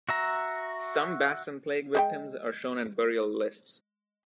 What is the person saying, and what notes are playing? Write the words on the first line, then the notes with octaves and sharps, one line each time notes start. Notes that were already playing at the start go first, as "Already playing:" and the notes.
Some Baston plague victims are shown in burial lists.
F#4 E5 A#5
G#3 C5 G5